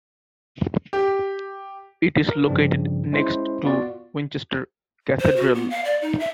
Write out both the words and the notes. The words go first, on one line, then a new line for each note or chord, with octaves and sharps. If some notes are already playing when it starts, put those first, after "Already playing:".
It is located next to Winchester Cathedral.
G4
A#4
G2 C#3 F3 C4 D4
G#3 C#4 E4 C5
B3 F4 F#4 D5
C5
F#4
B3
F5
D5
D#4
E5